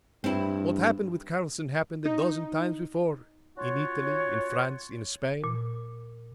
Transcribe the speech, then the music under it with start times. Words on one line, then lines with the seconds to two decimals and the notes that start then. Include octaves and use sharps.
What happened with Karlson happened a dozen times before--in Italy, in France, in Spain.
0.24 G2 C4 E4
2.05 D#4
3.58 C#4 F4 F#4 C#5
5.44 A#2